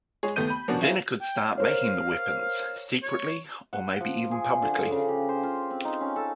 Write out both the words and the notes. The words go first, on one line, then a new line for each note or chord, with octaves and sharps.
Then it could start making the weapons - secretly or maybe even publicly.
G#3 G#4 C#5
D#2 A3 B3 G6 D#7
B5
F3 A#3 B3 C#4 D4 F#4
E4 F4 G#4 C5
G5
A#4 C5 C#5 F5
C#5
F#5
F3
G#4
D3
C#3
G4
C5
F4
C4
D#4
C#4
A4